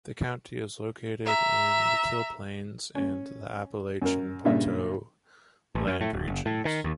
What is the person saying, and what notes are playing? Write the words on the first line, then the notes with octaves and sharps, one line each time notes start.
The county is located in the Till Plains and the Appalachian Plateau land regions.
E5 A#5
C#4
F#2 A#4
G2 A#2 C#3 E5
A1
F#2
A2
D1
F#1
A2
D#3
D#2